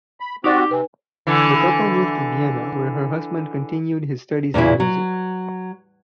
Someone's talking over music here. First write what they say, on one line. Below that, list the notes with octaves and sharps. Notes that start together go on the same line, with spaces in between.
The couple moved to Vienna where her husband continued his studies in music.
B5
C4 D#4 F#4 G4 D5 A6
C3 C4 B4 G#5
D3 E3
E2 A#2 C#3 E4
F#3